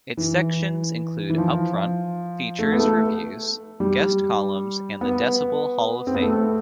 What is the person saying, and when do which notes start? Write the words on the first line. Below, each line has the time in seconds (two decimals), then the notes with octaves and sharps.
Its sections include Upfront, Features, Reviews, Guest Columns and the Decibel Hall of Fame.
0.17 E3
1.30 E3
1.38 F3
2.59 A3
2.72 B3
2.79 A3
3.80 G3
5.01 B3
6.07 C4
6.15 B3
6.22 A3